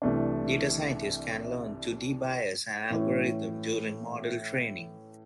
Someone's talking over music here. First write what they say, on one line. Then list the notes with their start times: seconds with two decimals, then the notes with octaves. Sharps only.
Data Scientists can learn to de-bias an algorithm during model training.
0.02 C2 C3 E3 A3 D4
2.91 A2 E3 A3 C#4